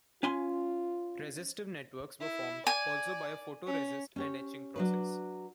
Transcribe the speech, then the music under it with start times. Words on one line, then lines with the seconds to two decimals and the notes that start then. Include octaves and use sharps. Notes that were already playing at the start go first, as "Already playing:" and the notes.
Resistive networks were formed, also by a photo resist and etching process.
0.23 C#4 F4 G#5 C6
2.20 E4
2.67 D5 G#5
3.67 C#4
4.16 C#4 G4 C#5
4.76 F#3 D4 B4